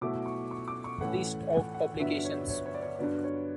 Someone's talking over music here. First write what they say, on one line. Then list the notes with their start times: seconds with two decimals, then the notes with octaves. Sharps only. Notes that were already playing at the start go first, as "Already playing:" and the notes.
List of publications.
0.01 B2 F#3 A3 E4 D6
0.26 C#6
0.51 C#6
0.68 D6
0.84 C#6
1.01 A2 E3 A3 C#4 F#5
1.50 F#5
1.74 F#5
2.00 G2 D3 F#3 B3 E5
2.25 C#5
2.49 C#5
2.66 C#5
2.74 D5
2.82 C#5
2.99 G2 D3 F#3 B3 D5
3.24 C#5